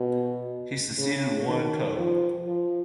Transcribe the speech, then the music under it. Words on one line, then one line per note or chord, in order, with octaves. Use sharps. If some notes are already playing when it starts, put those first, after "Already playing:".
He succeeded Warren Keogh.
Already playing: B2
C#3
D#3
F3
F3